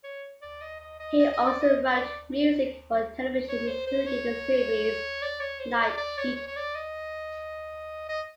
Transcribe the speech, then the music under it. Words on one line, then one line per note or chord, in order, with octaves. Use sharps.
He also wrote music for television including the series "Night Heat".
C#5
D5
D#5
D#5
D#5
D#5
D#5
D5
D#5
D5
C#5
C5
C5
C#5
D5
C#5
C5
D5
D5
C#5
C#5
C#5
D5
D#5
D#5